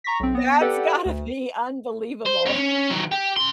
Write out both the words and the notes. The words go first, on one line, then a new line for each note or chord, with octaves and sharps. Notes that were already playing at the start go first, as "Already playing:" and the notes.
That's gotta be unbelievable.
A#5 C#6 A#6 B6
B1 C4
B3 A#6
G4 A4 B4 D5 F#5 G5
D2
C5
C4 C#5
C#4
D#3 F#3
G4
C#3 C6